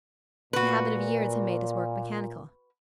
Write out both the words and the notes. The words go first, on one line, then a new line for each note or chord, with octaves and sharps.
The habit of years had made his work mechanical.
A#2 F#4 B4